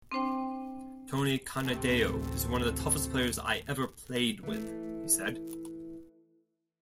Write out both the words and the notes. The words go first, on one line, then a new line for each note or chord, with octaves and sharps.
"Tony Canadeo is one of the toughest players I ever played with," he said.
C4 D4 C5 G5
A1 D2 C3 A3
E3 A3